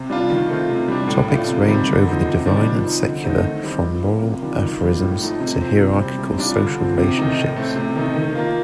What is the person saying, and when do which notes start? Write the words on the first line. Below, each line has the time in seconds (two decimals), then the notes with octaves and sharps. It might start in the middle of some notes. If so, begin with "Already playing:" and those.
Topics range over the divine and secular, from moral aphorisms to hierarchical social relationships.
Already playing: C3
0.10 G3 D4 F4
0.30 D#3
0.49 A3 C4 F4
0.69 C3
0.88 G3 D4
1.08 A2
1.28 A3 D4 F4
1.47 C3
1.67 D#3 G3 C4
1.87 D3
2.06 F3 C4 D#4
2.25 C3
2.46 D#3 G3 D4
2.65 F3
2.85 C4 D#4
3.04 D3
3.24 A3 C4 D#4
3.44 D#3
3.64 G3 C4
3.83 F3
4.03 A#3 F4
4.22 C3
4.42 D#3 G3 D4 F4
4.62 D#3
4.82 G3 C4 F4
5.01 A2
5.21 F3 A3 D#4
5.40 C3
5.60 F3 C4
5.80 C3
5.99 G3 C4
6.19 C3
6.38 G3 D4 F4
6.58 D3
6.78 F3 C4
6.98 C3
7.17 D#3 A3 D#4
7.37 A2
7.56 A3 C4
7.76 C3
7.96 D#3 A3 D#4
8.15 D#3
8.35 A#3 F4